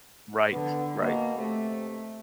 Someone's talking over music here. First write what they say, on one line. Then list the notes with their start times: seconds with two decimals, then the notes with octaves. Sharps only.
Right, right.
0.51 D3 B3
1.00 B2 A#3
1.38 C3 A3